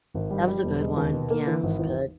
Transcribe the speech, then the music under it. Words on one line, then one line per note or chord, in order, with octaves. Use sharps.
That was a good one, yeah, it was good.
G#1
G3
G3
E1
G#3
D#2
B2
A#3
E3
G#1
E2